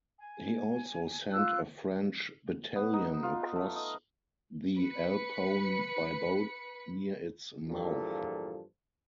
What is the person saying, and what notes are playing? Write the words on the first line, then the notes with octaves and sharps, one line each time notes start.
He also sent a French battalion across the Alpone by boat near its mouth.
G#5
F4 E6 F#6
B3
D#4
F4
A3
D#5
B4 B5 C#7
E2 G2 A#2 F3 A4